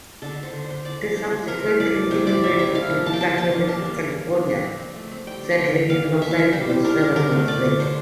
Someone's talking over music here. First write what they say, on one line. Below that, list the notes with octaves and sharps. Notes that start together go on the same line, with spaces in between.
They subsequently immigrated to Sacramento, California, settling in Los Angeles seven months later.
D3 A4
D3
C5
D3
C5
D3
C4 D5
F3
F3 C5
F3
E3 A#4
A3
E3 D5
A3
C3 C5
C3 D5
G3 E5
C3 E5
E4 F5
F3
F3 A5
G5
F3 A5
A#3 A5
D4
G3 A5
A#3
A#3
F3
D4
D4
C4
C4
A3
C4
G3 G5
D4
D3 G5
D3
A#3 F5
E3
E3 E5
F5
E3 E5
G3 C5
G3
D4 A#4
G3
D3 A#4
A3
D3 D5
D3
D4 C5